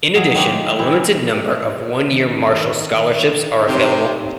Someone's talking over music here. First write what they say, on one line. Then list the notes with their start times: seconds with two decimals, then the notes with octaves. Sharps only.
In addition, a limited number of one-year Marshall scholarships are available.
0.14 F#3 G#4 F5
0.35 D#3 G#3 A#3
0.79 E3 C4
2.09 D#3
3.67 C3 D#4